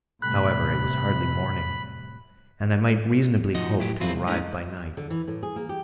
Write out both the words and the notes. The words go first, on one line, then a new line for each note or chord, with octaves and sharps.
However, it was hardly morning, and I might reasonably hope to arrive by night.
A2 C3 G3 A3 B5 F#6
F3 D#4 F#4 D#5
A2 F#3 E4 G4
F3 F#3 C4 E4 F4
C2
A2 E3 G#3 C#4 D#4
D3
E3
A2
G#4
A#3
G4